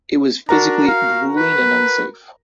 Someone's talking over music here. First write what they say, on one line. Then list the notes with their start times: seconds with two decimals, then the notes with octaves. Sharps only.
It was physically grueling and unsafe.
0.49 D4 F#4 A#4 A#5
0.87 F5
1.37 B4